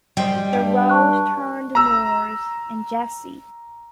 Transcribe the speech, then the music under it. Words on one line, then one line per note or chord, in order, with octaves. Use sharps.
The road turned north in Jessie.
G3 C5 D#5 G5
G2 G4
A5 C#6 F#6
A#5 E6